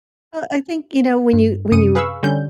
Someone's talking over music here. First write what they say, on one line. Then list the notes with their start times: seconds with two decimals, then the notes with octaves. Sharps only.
Uh, I think, you know, when you when you
1.33 G2
1.72 F#2 C3 D#6 C#7 D#7
1.95 G#4 B4 F5 B5 C#6 E6
2.23 D3 G3 C#4 G6